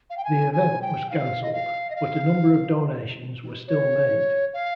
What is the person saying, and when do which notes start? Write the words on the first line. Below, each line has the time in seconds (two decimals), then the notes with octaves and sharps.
The event was cancelled, but a number of donations were still made.
0.10 F5
0.17 G5
0.24 G#5
0.53 G#5
0.82 G5
1.10 F5
1.43 D#5
1.53 F5
1.90 D#5
1.96 F5
3.68 C#5
4.54 F5